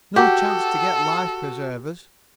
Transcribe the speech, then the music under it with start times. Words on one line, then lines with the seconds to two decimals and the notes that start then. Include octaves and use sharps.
No chance to get life-preservers.
0.16 F#4 G4 A4